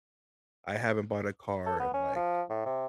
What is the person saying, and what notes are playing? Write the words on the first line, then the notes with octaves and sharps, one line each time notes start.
I haven't bought a car in, like
A4
B3
C#4
F3
A2
C3